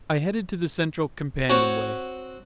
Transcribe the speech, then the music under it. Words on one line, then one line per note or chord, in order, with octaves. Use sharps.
I headed to the central companionway.
C4 F#4 C#5